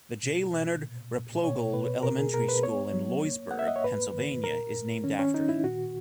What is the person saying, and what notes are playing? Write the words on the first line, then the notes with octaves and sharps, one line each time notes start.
The J. Leonard Replogle Elementary School in Loysburg, Pennsylvania is named after him.
B2
B2
A#2
A#2
B2 C#5
B2 B4
B2 A#4
G#4
B2 A#4
B4
B3 C#5
F#3
A#3
A#3 F#5
E5
D#5
C#5
G#2 B4
D#3
A#2 A#4
A#2
D#3 C#4
C#4
D#3 D#4
E4
A#2 F#4